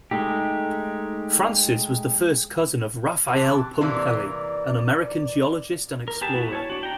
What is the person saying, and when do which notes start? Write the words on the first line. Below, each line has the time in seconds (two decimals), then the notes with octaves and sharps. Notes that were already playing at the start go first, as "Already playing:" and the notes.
Frances was the first cousin of Raphael Pumpelly, an American geologist and explorer.
0.11 G#3 A3 D#4 G4
3.28 C3 E3 A5
3.81 C3 E3 A#3 D5
6.08 A#4
6.21 G4 G#4 B4 A5
6.35 B3 E4 F#4
6.52 C#5 A5
6.70 D4 F#4
6.83 G5 A#5